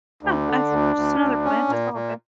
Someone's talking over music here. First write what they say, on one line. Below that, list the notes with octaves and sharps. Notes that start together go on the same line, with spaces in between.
yeah, that's just another plant, it's all good.
D2 D4
D3
D2
D2
D2
C#4
A#2
A#2